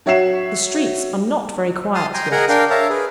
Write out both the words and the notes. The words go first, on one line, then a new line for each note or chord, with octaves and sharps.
The streets are not very quiet yet.'
F#3 C#5 E5 F#5 C7 E7
A5 C6 D#6 F6
G5 G#5 A#5 C6
G#4 A#4 D#5 F#5 G#5 A#5
D4 A#4 F5 G5
A#4 C#5 E5 F5 A5 A#5
G#4 B4